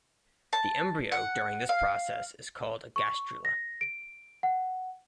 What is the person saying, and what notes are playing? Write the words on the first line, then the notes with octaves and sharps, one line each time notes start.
The embryo during this process is called a gastrula.
A5
F#5
F5
C#6
A#6
D7
F#5